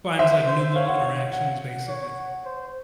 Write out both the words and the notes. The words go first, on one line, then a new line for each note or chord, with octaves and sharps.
finds, like, new little interactions, basically.
C5 E5
C5
C#5 F5
F#5
F5
F#5
C#5
C5